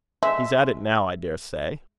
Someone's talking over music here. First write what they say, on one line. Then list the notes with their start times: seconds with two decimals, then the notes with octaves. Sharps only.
He's at it now, I daresay.
0.23 G#3 E5